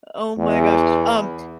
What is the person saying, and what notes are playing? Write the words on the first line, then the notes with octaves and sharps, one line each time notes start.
Oh my gosh, um,
E2